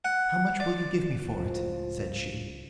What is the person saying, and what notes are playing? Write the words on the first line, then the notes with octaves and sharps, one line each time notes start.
"How much will you give me for it?" said she.
F#5
D5
C#2 A2 F3